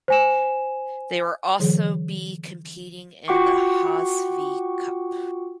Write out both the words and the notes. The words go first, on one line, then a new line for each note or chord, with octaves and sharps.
They were also be competing in the Hazfi Cup.
C5 G#5 E7
D3 E3 F#3 G#4
F4 F#4 F#5 G5 C#6 D6